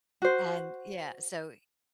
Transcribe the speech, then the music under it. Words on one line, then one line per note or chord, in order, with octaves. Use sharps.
And yeah, so
F#4 C5